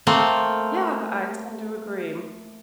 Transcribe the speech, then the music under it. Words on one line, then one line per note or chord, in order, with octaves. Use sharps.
Yeah, I tend to agree
A3 A#3 C4 F4